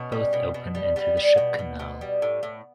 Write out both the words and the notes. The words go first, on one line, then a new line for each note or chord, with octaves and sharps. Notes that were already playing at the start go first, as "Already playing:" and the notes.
Both open into the ship canal.
Already playing: B2 C#4
G3
B2
B2
G3
G3 B3
G3
B2
B2
B2
G3
A2
A2